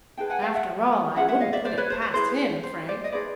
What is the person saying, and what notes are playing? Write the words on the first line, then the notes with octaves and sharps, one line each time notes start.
"After all, I wouldn't put it past him, Frank."
D#4 G#4 B4 G5 A5
F#5 G#5
F5 G5
E5 F#5
C#4 F4 G#4 B4 E5 F#5
E5 F#5
D#5 F5
D5 E5
C5 D5
B4 C#5
C5
C5
E4 G#4 B4 C5
C5
C5 D5
D#5
D#4 G#4 B4 C5 D5